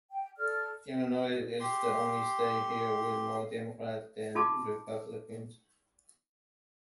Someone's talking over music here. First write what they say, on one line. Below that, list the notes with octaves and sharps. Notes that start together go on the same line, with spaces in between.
Illinois is the only state here with more Democrats than Republicans.
G5
A4 D5 F6
G4 C6
D#4 F4 A5 C6 D6